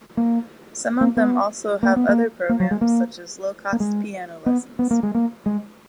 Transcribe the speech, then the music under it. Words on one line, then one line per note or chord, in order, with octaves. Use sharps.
Some of them also have other programs, such as low cost piano lessons.
A#3
A#3
B3
A#3
B3
A#3
A#3
F#3
G#3
A#3
A#3
G#3
B3
B3
A#3
G#3
A#3
G#3